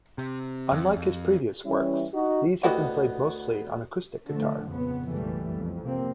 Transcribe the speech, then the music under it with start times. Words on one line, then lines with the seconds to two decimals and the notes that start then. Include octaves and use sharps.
Unlike his previous works, these have been played mostly on acoustic guitar.
0.18 C3
0.72 F2
0.96 F2
1.64 E3 G3 C#4 E4
2.13 D#4 F#4
2.63 D2 B3 E4 F#4 G4 D#5
4.29 D3 F3 A3
4.69 A#1 F2 C#3 B3
5.07 F#1 B1 B2 E3 G3 A3
5.53 F2
5.83 C3 A#3 C4